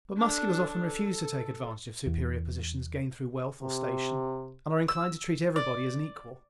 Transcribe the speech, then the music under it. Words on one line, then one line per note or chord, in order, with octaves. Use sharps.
But Musculars often refuse to take advantage of superior positions gained through wealth or station, and are inclined to treat everybody as an equal.
D4 A4
A4
E2
C3
E6
D5